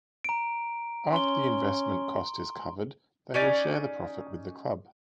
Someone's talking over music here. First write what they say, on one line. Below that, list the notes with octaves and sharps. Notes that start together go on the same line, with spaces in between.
After the investment cost is covered they will share the profit with the club.
A#5 D7
C#4 C6 G7
C#4 D#4 D5